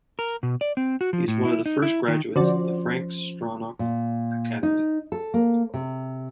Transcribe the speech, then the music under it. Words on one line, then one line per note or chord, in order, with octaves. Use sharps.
He is one of the first graduates of the Frank Stronach Academy.
A#4
B2
D5
C4
F#4
F3
A2
E4
D#4
E4
D#3
D3 F3 C#4 F#4 C5 D5
A#2
D#4
A4
A#3
C3